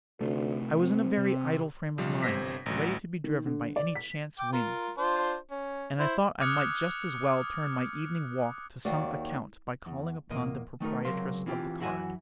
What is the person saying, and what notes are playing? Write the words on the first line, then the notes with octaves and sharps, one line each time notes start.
I was in a very idle frame of mind, ready to be driven by any chance wind; and I thought I might just as well turn my evening walk to some account by calling upon the proprietress of the card.
D2 C3 A3
C4
C3
B1 F3 G3
G1 C3 C5 A#6 B6
A1 D2 F#3
D#3
D3
D5
B6
G5 D6
F4 A#4
D4 F4 C5
C#4
E4 C5
D6 D#6 F6 F#6 G#6 C#7
D#2 D#3 F#4 D5
E2
E2 A#2 A#3 D#5
D#3 A3 D#4 A#4
C#2 C3 F#3 A#4 F5 C6
E3 C4 F4 G4
F#2 E3 E4 F#4 E5 G#5